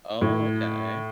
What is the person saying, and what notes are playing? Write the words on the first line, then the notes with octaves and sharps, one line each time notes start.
Oh, okay.
A2